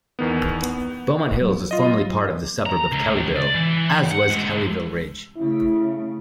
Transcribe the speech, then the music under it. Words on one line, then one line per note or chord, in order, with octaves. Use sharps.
Beaumont Hills was formerly part of the suburb of Kellyville, as was Kellyville Ridge.
E2 D#3 B3
B3
F#3
F4 D#5
A#5
C#2
D5
E3
F#5
D3 G#3
C#3 A3 E4